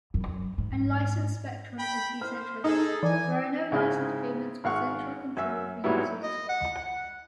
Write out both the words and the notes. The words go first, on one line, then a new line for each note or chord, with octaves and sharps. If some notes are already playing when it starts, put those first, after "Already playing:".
Unlicensed spectrum is decentralized: there are no license payments or central control for users.
F#2
G#2
G5 B5
C5 F6
D#4 G#4 A4
E3 D5 G#5
G#2 C#3 C4 E4 G#4
G#1 F5 F#5 C#6 F6
F#2 E5
G#2 F#3 G3 B3 E4
D#5
F#5
F#5